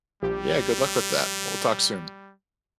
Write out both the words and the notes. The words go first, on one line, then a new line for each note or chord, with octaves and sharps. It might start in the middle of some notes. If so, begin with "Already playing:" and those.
Yeah. Good luck with that. We'll talk soon.
A#1 G3 G4